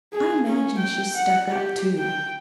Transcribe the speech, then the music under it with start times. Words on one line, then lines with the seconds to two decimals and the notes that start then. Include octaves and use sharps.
I imagine she's stuck up, too.
0.13 G#4
0.47 C#4
0.78 G5
1.15 F#5
1.49 G4
1.99 G5